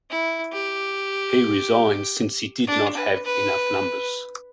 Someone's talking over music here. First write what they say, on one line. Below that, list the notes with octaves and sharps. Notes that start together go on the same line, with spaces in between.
He resigned since he did not have enough numbers.
E4
G4
D4
B4
B4